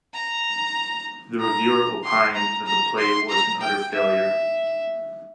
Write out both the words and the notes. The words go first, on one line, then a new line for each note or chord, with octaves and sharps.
The reviewer opined that the play was an utter failure.
A#5
A#5
C6
A#5
A#5
C6
A#5
G5
E5